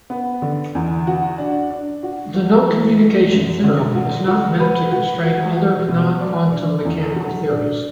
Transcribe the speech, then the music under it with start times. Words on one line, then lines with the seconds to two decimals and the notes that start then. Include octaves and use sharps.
The no-communication theorem is not meant to constrain other, non-quantum-mechanical theories.
0.10 B3
0.42 D3
0.75 E2
1.07 F#4
1.38 D4
1.71 D4
2.03 F#4
2.35 F#4
2.68 E3
2.99 A3
3.32 F#2
3.64 D3
3.95 F#4
4.27 F#4
4.59 B4
4.92 F#4
5.24 F#4
5.56 F#4
5.88 B2
6.21 D5
6.52 D4
6.85 E2
7.16 F#3
7.49 D4